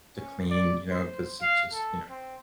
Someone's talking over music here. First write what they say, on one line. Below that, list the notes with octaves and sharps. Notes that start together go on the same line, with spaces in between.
to clean, you know, 'cause it just you know?
C#4
D5
C5
F5
A4
C4